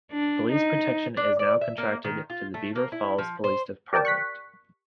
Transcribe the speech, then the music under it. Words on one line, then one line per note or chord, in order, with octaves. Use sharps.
Police protection is now contracted to the Beaver Falls Police Department.
D4
D#4
D4
D5
E5
A#3
D#3
F4
A3
A#3
E4
F3
C5
G4 A#4 D5 G5 A5
C#6 F#6 B6